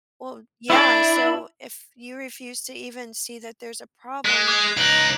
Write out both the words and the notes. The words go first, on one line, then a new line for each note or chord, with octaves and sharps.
Well Yeah, so, if you refuse to even see that there's a problem,
D4 E4
G#3 F#6 B6
D6 G#6 C7
C#2 D#4 F#6 D7 F#7